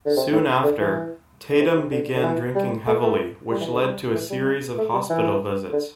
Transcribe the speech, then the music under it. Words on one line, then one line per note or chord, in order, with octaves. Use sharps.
Soon after, Tatum began drinking heavily which led to a series of hospital visits.
D3
C3
A2
D3
E3
D3
C3
C3
D3
D3
E3
G3
A3
A3
G3
E3
D3
G3
E3
G3
A3
G3
E3
D3